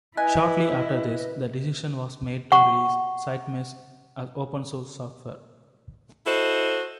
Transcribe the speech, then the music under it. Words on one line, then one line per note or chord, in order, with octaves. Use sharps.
Shortly after this, the decision was made to release SiteMesh as open source software.
E4 B4 D#5 G#5
F#5 C#6
E4 F#4 A4 C5 D#5